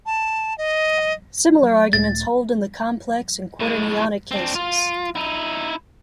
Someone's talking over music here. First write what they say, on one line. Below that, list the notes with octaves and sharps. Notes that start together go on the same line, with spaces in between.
Similar arguments hold in the complex and quaternionic cases.
A5
D#5
F#3
C#2 A2 A3 A6
A2 G#3
C4 D4
F4
D#4 E4